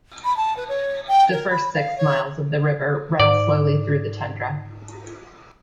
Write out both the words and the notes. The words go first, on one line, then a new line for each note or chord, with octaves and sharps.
The first six miles of the river run slowly through the tundra.
B5
A5
B4
C#5
G5
A#4
B5
F5
C#5
G#2 D5